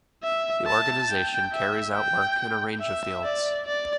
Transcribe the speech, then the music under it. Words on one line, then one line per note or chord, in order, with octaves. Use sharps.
The organization carries out work in a range of fields.
E5
A5
G5
E5
G5
E5
D5
D5